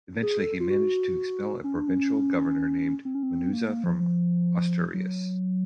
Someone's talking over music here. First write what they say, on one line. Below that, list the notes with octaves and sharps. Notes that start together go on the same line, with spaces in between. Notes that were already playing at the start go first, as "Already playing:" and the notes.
Eventually, he managed to expel a provincial governor named Munuza from Asturias.
G#4
A4
F4
F#4
C#4
D4
C#4
C4
C#4
C4
A#3
A#3
F3
F3
F#3